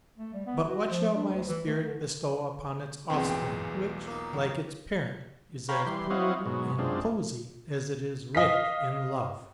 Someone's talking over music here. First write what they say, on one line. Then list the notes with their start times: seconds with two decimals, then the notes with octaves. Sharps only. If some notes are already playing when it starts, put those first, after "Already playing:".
But what shall my spirit bestow upon its offspring, which, like its parent, is as poor in poesy as it is rich in love?
0.17 A3
0.33 G3
0.46 B3
0.67 F#4
0.90 F3
1.14 D4
1.33 D2
1.48 E3
1.66 A3
1.85 D3
3.10 B1 E2 A#2 E3 G#3 C4
3.29 G5 A#5
4.07 A#3 D#4
4.33 D#3 F#3
5.69 C#5 F5 G5 A#5 B5
5.86 E3 G3 C6
6.10 C4 E4 C#5 D#5 F5 F#5
6.46 G#2 B2 F#3
6.79 F#2 G#3 C4 D4 F4
8.35 D#5 F5 B6